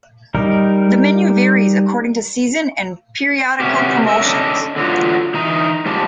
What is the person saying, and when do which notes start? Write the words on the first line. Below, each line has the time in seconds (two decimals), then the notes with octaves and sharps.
The menu varies according to season and periodical promotions.
0.35 G3 D#4 A#4
3.60 C3 B3 C#4 F#4 G4
4.07 A#4 E5
4.21 C#4 D4 A4 D#5
4.76 D3 F#3 F4
5.34 E3 D#4 A#5
5.86 G#2 F3 C#4 G4 A5